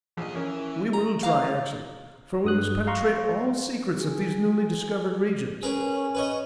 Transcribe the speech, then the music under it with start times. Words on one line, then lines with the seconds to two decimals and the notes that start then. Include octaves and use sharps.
"We will try, Axel, for we must penetrate all secrets of these newly discovered regions."
0.17 A#1 F2 D#5
0.35 E3 C#4 A#4
0.93 A#5
1.23 F5 A#5
2.45 G2 D#6 F#6
2.87 F5 A#5 C6 C#6
3.96 G#4
5.63 C#4 G#4 A#4 B4
6.15 B4 C#5 D#5